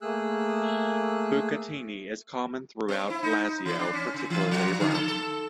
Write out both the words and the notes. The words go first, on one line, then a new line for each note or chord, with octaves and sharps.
Bucatini is common throughout Lazio, particularly Rome.
A3 A#3 G#4 E6 F#6
C4
E4
D#4
E3
D4
C#4
C#3
E3
F3
D3
A4
A4